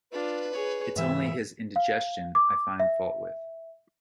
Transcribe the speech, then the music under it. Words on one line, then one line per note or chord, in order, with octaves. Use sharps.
It's only his indigestion I find fault with.
D4 F4 B4
G#4 C#5
G#2 E3 E5
F5
D6
E5